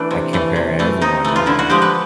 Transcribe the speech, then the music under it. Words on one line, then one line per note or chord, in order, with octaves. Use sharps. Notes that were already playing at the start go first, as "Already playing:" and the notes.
I compare everyone to her,
Already playing: E3 A3 D4
C3
E3 A3
C3
E3 A3
C3 D#4
E3 A3
F4
D3 E4
F#4
F3 G#3 G4
B4